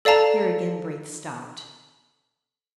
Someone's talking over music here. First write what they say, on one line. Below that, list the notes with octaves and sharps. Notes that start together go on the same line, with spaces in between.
Here again Braith stopped.
A4 D5 F5 A5 A#5